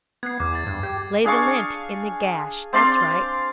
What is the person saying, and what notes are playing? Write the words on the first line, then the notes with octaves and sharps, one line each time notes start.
Lay the lint in the gash. That's right.
B3 G#6 C7
E2 D6
G#6 A6
G2
G4
D4 G#4 F5 C#6
C4 D5 F5 C6